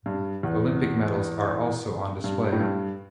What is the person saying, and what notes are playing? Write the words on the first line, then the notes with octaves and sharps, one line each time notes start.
Olympic medals are also on display.
G2
E2
G2
A2
G2